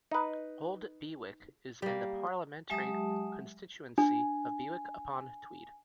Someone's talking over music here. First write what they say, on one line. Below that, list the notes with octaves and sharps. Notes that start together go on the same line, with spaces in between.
Old Bewick is in the parliamentary constituency of Berwick-upon-Tweed.
D#4 B4
G3 A#3
F#3 G#3 G4 E5 A5 D#6
D4 G#5